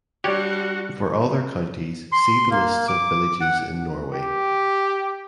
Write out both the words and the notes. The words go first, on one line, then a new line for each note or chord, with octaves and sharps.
For other counties see the lists of villages in Norway.
G3 D4 F#4 G4 C#5 D5
C6
A#3
D6
F#5
G4